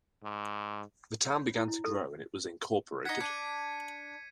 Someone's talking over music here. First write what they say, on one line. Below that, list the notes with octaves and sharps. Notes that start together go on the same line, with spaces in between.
The town began to grow and it was incorporated.
G#2
C#5
B5
E4
E4
A4
D#4 F#5 G#6 B6 C#7
D4 G#6 D#7